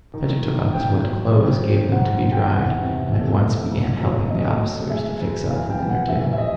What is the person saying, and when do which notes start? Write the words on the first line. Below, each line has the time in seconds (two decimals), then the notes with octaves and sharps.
Petya took off his wet clothes, gave them to be dried, and at once began helping the officers to fix up the dinner table.
0.14 D#3
0.43 D#3
0.73 G#2 G5
1.03 F#3
1.33 F2
1.62 F2
1.92 G#2 F#5
2.22 D#3
2.32 G5
2.51 E2 F#5
2.82 C3
3.12 A3
3.41 A3
3.71 C#2
4.00 F#3
4.30 A3 D#5
4.60 A3
4.90 G#3 E5
5.20 D2
5.50 E3 F5
5.69 G5
5.79 E3
5.89 F#5
6.09 F1 E5
6.33 E5
6.38 D#5